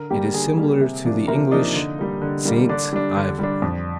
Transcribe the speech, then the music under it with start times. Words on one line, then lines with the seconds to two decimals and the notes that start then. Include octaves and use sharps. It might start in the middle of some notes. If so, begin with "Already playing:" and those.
It is similar to the English Saint Ivel.
Already playing: D3 A#4 A#5
0.10 G3 A#3 G4 G5
0.34 D3 G#4 G#5
0.58 G3 A#3
0.81 C3
1.05 F3 A#3 D4
1.28 C3 A#4 A#5
1.51 F3 A#3 D4 D#4 D#5
1.75 D3
1.98 G3 A#3
2.22 D3
2.45 G3 A#3
2.69 D3 D4 D5
2.93 G3 D4
3.16 D3
3.39 G3 D4
3.62 F2